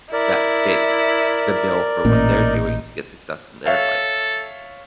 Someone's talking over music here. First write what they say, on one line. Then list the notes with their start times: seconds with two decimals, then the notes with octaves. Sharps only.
that fits the bill for what they're doing to get success in their life?"
0.13 E4 A#4 D5
2.05 A1 A#2 D#4
3.66 A4 C#5 E5 F5